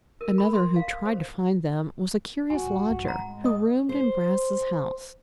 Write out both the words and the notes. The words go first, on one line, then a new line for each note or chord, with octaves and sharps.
Another who tried to find them was a curious lodger who roomed in Brass's house.
A#4
B5
C6
F5
C5
F#3 F#4 G#5
D1 G3
G1 G2
G#1 F#5 A#5
G#3
D#5 D#6
C5